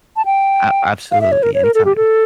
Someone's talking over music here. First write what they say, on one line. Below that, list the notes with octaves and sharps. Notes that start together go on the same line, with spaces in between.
A absolutely, anytime.
A5
G5
F5
E5
C#5
A#4
C#5
A#4
A4
G4
A4